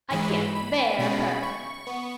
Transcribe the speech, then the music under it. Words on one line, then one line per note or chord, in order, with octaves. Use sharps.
I can't bear her.
G#2 E3 G#3 B5
B5
B2 G#3 C#4 B5
C#6
B3